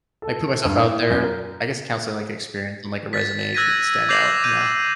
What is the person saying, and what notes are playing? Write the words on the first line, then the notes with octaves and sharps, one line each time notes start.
like, put myself out there. I guess counseling, like, experience on, like, a resume could stand out, yeah.
A4
G2
A2
F#2
A#4
A6 B6
E6 F#6 G#6 A#6 B6 D#7
D6 G6 A#6 C7 F7 F#7
G6 D#7